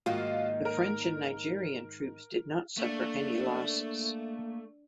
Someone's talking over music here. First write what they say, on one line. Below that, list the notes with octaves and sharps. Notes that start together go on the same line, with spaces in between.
The French and Nigerian troops did not suffer any losses.
G#2 D#3 A#3 F4 F#4
A#4
A3 A#3 D4